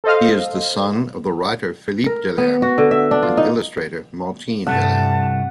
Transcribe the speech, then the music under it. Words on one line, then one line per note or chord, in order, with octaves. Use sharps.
He is the son of the writer Philippe Delerm and illustrator Martine Delerm.
A4 C5 D#5 F5
A#4
B3
F#4
D3
E5
D4
F4
D#4
C2 G2 A3 F#5 A5